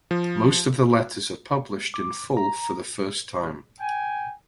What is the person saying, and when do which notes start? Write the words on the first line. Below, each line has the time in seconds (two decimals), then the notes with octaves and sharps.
Most of the letters are published in full for the first time.
0.11 F3
1.94 D6
2.37 A#5
3.80 G5 G#5